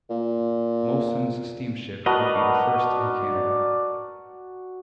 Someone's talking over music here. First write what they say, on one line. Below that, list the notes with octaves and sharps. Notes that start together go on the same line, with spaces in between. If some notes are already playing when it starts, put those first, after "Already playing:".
Molson's steamship would be the first in Canada.
A#2
F#4 A#4 B4 D5 D#5 A5